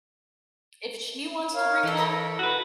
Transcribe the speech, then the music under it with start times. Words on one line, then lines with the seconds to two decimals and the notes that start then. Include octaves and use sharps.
If she wants to bring it up,
1.55 A#4 C#5 F5
1.83 E3 A4 E5 F#5
1.97 A#4 C#5 B5
2.39 F#4 B4